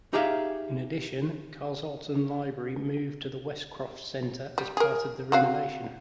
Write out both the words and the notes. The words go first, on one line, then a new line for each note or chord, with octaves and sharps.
In addition, Carshalton Library moved to the Westcroft centre, as part of the renovation.
D#4 G4 G#4 E5 F5
G3
G#4 A#4
C4 F#4 F5